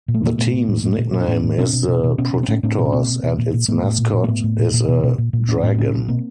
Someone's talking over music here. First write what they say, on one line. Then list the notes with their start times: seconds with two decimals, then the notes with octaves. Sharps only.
The team's nickname is the "Protectors", and its mascot is a dragon.
0.08 A#2
0.14 A3
0.23 A#2 A#3
0.38 A#2 A3 B3
0.53 A#2
0.68 A2
0.83 A2
0.98 A#2
1.13 A#2
1.21 D4
1.28 A2 B3 C#4
1.44 A2
1.58 B2 C4 D4
1.73 B2
1.88 B2
2.04 B2
2.18 B2 B3 C#4
2.34 B2
2.43 C4
2.48 A2 B3 C#4
2.63 A2 C4 D4
2.78 B2 C4
2.85 C#4
2.92 B2 A#3 C4
3.08 B2
3.23 B2
3.38 A#2
3.54 A#2
3.68 A2 A3 B3
3.83 A2
3.98 A#2
4.13 A#2
4.24 A#3
4.28 A2 A3 B3
4.44 A2
4.59 A#2
4.74 A#2
4.88 B2
5.04 B2
5.18 A#2
5.33 A#2
5.48 A2 B3 C#4
5.63 A2 C4 D4
5.74 C4
5.78 A#2 B3 C#4
5.93 A#2
6.08 B2 A#3 C4